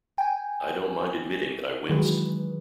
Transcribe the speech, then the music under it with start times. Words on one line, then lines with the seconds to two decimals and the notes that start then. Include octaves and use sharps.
I don't mind admitting that I winced.
0.18 G5 G#5
1.89 D#3 E3 F#3 G#3 B4